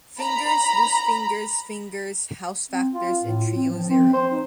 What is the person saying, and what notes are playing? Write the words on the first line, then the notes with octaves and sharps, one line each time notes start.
Fingers, Loosefingers, Fingers, House Factors, and Trio Zero.
A#5 B5
C4
F4
A2
C4
F3
C4
C5
D#4